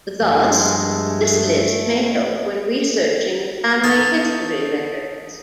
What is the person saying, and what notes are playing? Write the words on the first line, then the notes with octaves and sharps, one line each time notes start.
Thus, this list may help when researching family history records.
G2 F3 G#3 A3
D#4 A4 F5 A5 C#6